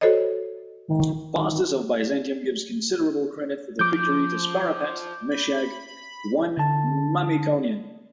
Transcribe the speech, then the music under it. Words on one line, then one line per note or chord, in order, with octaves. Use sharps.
Faustus of Byzantium gives considerable credit for the victory to "sparapet" Mushegh I Mamikonian.
F#4 A4 C5 C#5 D#5
F3 D6 G6
B5
D3 A5